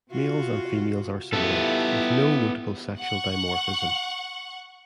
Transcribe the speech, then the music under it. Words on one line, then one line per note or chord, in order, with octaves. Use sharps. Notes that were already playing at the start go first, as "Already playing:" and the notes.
Males and females are similar, with no notable sexual dimorphism.
C3 F4 F#4
B3 E4 F4 G4 A4
F#5 C#6